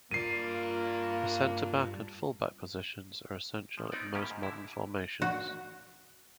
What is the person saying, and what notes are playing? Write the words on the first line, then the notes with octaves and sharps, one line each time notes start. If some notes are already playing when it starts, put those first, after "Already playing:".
The centre-back and full-back positions are essential in most modern formations.
G2 A#3 F4 D5 C7 D#7
F3
B3 C4 D#4 D5
A2 D#3 A#3 C#4 G4
G#2
D3 E4
F#4